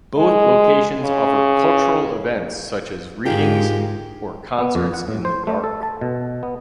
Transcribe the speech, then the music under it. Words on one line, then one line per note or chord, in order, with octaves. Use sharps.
Both locations offer cultural events such as readings or concerts in the dark.
G#3
C#3
G#2 G#3 F4 G4 G#4 A#4
B3
F2
F#5
A2
C5
A3
A4
A5
B2
B3